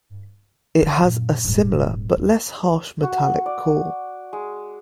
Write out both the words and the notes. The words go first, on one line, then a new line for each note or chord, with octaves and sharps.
It has a similar but less harsh metallic call.
D3
F#2 A#2
D#1 G#2
D#2 A#3
F#4
D5
G#3